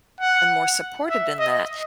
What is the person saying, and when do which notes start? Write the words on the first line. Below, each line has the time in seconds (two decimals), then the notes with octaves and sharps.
and more supported in that.
0.20 F#5
1.09 E5
1.39 D#5